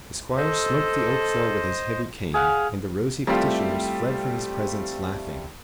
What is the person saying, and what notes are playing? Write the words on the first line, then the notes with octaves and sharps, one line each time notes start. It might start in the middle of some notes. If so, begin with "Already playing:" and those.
The squire smote the oak floor with his heavy cane, and the rosy petitioners fled from his presence laughing.
A4 C5 D#5
G#4 F5 F#5
G3 A3 C4 E4 F4 G4